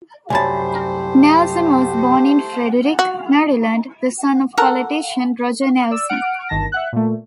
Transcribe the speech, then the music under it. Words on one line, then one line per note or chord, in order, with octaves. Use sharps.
Nelson was born in Frederick, Maryland, the son of politician Roger Nelson.
C2 F#2 A3 G4 C5 G#5 A5 B5
F#4
A4 A#4 F#5
D5 E6
F#5 F6 D7
G1 D#3 A5 A#6
E5 F#5 F#6
A#2 A3